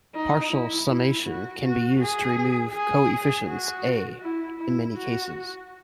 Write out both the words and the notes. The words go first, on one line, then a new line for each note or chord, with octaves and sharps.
Partial summation can be used to remove coefficients "a", in many cases.
D#4
E4
E4
F#4
F#4
G#4
G#4
F#4
E4
E4
F#4